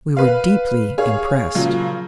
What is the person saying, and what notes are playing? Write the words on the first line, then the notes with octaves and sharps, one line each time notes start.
We were deeply impressed.
B4 F5
G#4 C#5 F5
A#2 C#3 F3 F#3 F4